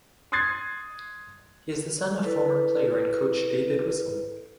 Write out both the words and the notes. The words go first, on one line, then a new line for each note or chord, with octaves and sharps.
He is the son of former player and coach David Whistle.
C6 D#6 F#6 G#6 A6 C7
E4 A4 B4